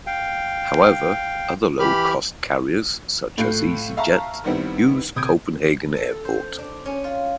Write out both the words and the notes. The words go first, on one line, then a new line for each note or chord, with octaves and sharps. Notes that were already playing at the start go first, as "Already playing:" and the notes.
However other low cost carriers such as easyJet use Copenhagen Airport.
F5 G5
E3 G4 B5 F6
A2 A3 F4 F#6 G6 C7
E5 F5 A5 A#5 C#6 F6
D#3 G3 B3 C4 E4
C3 D#6 G6 G#6 D7
A4
C5
D4
C#4
F4